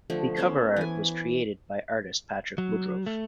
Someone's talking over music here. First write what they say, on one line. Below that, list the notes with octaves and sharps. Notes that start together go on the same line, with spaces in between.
The cover art was created by artist Patrick Woodroffe.
D3 F3 A3
B3 C#4 C5
E3 G#5
F#3
A3